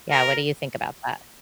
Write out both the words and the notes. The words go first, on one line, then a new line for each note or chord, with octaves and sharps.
Yeah, what do you think about that?
A#4